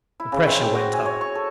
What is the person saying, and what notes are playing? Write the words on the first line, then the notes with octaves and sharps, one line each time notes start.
The pressure went up.
E4
C#3
C4
G5
F#4
G#5
C#5
C#6
A4